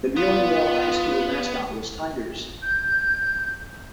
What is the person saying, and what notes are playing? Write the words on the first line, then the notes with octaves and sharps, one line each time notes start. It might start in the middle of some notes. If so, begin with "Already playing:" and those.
The Mullinville High School mascot was Tigers.
B3 F4
G6